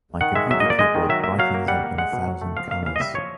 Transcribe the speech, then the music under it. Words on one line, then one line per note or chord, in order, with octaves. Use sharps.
My computer keyboard brightens up in a thousand colors.
D#3 F#5
G#3 E5
F#3 E5
D#5
A#3 D5
G#3 D#5
D#3
F#3 E5
A#3 E5
F#3 F5
A#3
G3 F#5
A#3
G#3 F#5
B2
F#3
A3
F3 F5
A#3 F5
E3 F5
D#5
G3 E5
F3 C#5